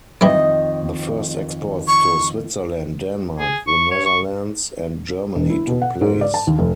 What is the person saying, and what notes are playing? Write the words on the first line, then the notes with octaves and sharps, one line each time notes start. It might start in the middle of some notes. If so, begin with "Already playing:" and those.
The first exports to Switzerland, Denmark, the Netherlands and Germany took place.
F2 D#3 E3 G3 D#5
C#6
G#4
C#6
C#5
C#6
E1
E4
B2
F#5
G#2
D5
A5
D#2
F1